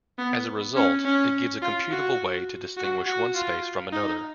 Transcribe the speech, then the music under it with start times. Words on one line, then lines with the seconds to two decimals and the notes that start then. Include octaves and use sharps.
As a result, it gives a computable way to distinguish one space from another.
0.18 B3
0.76 C#4
1.05 C#4
1.62 F4
1.91 F#4
2.77 F#4
3.06 F#4
3.34 F4
3.92 D#4